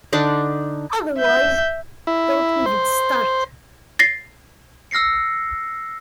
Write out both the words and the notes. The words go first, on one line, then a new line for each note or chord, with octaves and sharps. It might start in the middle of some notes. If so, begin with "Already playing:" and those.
Otherwise, don't even start.
D3 D4 D#4
E5 G6
E4
C5
A6 A#6 C7
E6 F6 A#6 C7 C#7